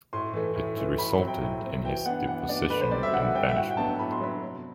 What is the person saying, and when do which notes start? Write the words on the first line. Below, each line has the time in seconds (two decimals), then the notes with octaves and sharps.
It resulted in his deposition and banishment.
0.13 A2 C6
0.34 E3 A3
0.55 A2
0.77 E3 A3
0.98 A2 B5
1.12 B5
1.19 F#3 C4
1.27 G5
1.41 A2
1.62 F#3 C4
1.84 E3 G5
2.06 B3 D4 F#5
2.27 E3 F#5
2.49 B3 D4 D5
2.70 D3 B4
2.81 C5
2.91 G3 C4 D5
3.03 E5
3.13 D3 F#5
3.35 G3 C4 G5
3.49 E5
3.56 A2 F#5
3.71 G5
3.77 F#3 B3 D4 A5
3.99 A2 B5
4.12 C6
4.20 F#3 B3 D4 B5
4.42 C3